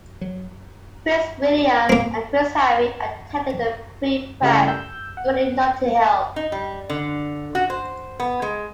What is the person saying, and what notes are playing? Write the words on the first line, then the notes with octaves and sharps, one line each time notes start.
Prince William and Prince Harry attended the pre-prep school in Notting Hill.
F#3
A#3 C4
C#2 C#3 G3 A3 E4 A#4
E6 G6
F#5
D#4
G3
D3
F#4
C5
B3
G#3